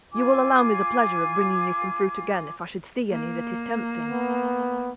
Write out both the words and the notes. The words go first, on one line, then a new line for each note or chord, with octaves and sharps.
You will allow me the pleasure of bringing you some fruit again, if I should see any that is tempting.
F4 G#5 D6
A#3
B3